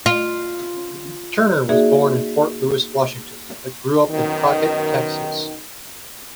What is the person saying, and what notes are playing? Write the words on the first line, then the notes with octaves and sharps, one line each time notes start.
Turner was born in Fort Lewis, Washington, but grew up in Crockett, Texas.
F4
A#3 D#4 F#4 G#4 D5 E5
F#2 B2 D#3